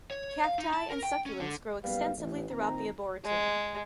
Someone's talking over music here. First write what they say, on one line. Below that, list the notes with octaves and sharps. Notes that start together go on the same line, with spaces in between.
Cacti and succulents grow extensively throughout the Arboretum.
C#5
F5
D#4
A5
A#4
G5
C#4
D3
F#1 G3 B3 B4 F5
A1
A#2 D#3 C4 D#4 A#5
G#3